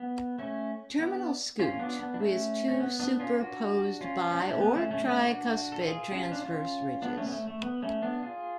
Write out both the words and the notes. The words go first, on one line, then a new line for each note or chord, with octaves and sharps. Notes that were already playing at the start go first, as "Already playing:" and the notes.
Terminal scute with two superposed bi- or tricuspid transverse ridges.
Already playing: B3
A3 C#4
B3 D4
C#4 F4
B3 D4
B3
D4
A3 C#4
C#4
B3
B3 D4
C#4 F4
D4 F#4
C#4 F4
C#4
D4
A3 C#4
B3
A3 C#4
A3 C#4
D4
A3 C#4
D4 F#4
A4
F4 G#4
C#4 F4
D4
C#4 F4
B3 D4
A3 C#4
B3
A3
A3
B3
A3 C#4
B3 D4
F4 G#4